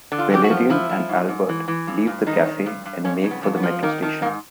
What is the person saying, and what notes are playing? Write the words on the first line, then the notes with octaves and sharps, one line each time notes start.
Valérian and Albert leave the café and make for the metro station.
D3
F4
F#2 G4
F#4
F3
F3 E4
F3
G#2
G#2
E3
E3
G2
G2
D#3 D#4
D#3
G2
G2
F2 C#4
C#3
B3
F2
B3
F3
D#3 A#3
D#3 A3
G#2 A#3